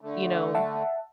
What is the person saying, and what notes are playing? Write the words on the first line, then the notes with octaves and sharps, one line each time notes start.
you know
D3 A3
E5 F#5 A5